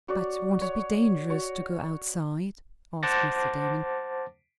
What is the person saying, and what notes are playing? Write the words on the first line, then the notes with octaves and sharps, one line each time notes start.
"But won't it be dangerous to go outside?" asked Mr. Damon.
F#4 C#5 D5
C#5
F#4 C#5
C5 F#5 A5 D6 A6 A#6